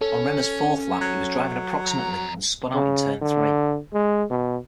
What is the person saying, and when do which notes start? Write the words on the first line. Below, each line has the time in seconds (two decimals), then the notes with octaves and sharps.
On Renna's fourth lap he was driving approximately and spun out in turn three.
0.01 C#4 A4
1.01 F#3
1.87 F2 A#5
2.74 C#3
3.22 D3
3.93 G#3
4.30 B2